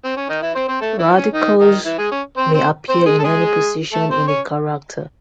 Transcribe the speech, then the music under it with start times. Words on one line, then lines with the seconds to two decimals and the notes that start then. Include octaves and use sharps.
Radicals may appear in any position in a character.
0.04 C4
0.17 C#4
0.29 D#3 D#4
0.42 E3 E4
0.55 C4 C5
0.68 C4 C5
0.81 A3 A4
0.99 E3 E4
1.16 C#4
1.33 D#3 D#4
1.59 D#3 D#4
1.85 E3 E4
1.98 G#3 G#4
2.11 C#4
2.37 C4 C5
2.54 C4 C5
2.89 C4 C5
3.06 G#3 G#4
3.19 A4
3.24 G#3 G#4
3.93 A3 A4
4.10 C4 C5
4.28 C#4 C#5